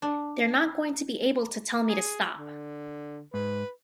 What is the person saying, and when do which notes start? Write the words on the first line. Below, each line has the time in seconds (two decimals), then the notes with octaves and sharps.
They're not going to be able to tell me to stop.
0.02 D4
1.88 G#4
2.36 D3
3.34 G#2 B4